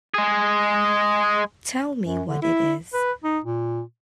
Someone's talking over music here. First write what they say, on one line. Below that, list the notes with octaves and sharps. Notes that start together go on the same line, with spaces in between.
Tell me what it is.
G#3 G#4
F#2
D3
E4
B4
D#4
A#2